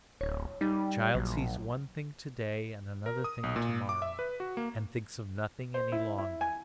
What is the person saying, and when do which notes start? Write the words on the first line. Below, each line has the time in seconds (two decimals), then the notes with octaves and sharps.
A child sees one thing to-day and another thing to-morrow, and thinks of nothing any longer.
0.21 D1 C#5
0.61 G3 D#4
1.15 A#1 F#3
3.06 A#4
3.24 D#6
3.43 B1
3.56 A#2
3.89 D6
4.02 E5
4.19 B4
4.40 F#4
4.57 A#3
5.74 C5
5.92 E4
6.18 E4
6.41 G#5